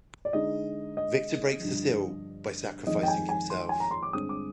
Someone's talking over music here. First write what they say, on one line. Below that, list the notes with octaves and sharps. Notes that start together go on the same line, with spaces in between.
Victor breaks the seal by sacrificing himself.
D5
D3 G#3 D#4 D#5
D#5
G2 D3 F3
F2 D#3 G#3 D#5
G5
G#5
G#5
C6
G#5
A#5
C6
D6
G2 D3 G#3 C4 D#6
D6